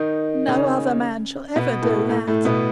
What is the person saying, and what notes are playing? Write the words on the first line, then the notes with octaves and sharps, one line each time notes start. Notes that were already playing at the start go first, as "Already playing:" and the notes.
"No other man shall ever do that."
Already playing: D#3 D#4
C#3 C#4
B2 B3
A2 A3
A2 A3
A2 A3
B2 B3